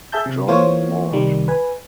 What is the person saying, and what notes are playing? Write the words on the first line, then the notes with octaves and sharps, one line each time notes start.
John Maude.
G#4 E5 A5 G6
C3
E3 A#3 F4 C5 C#5
C2 D#3 G3
B4 G#5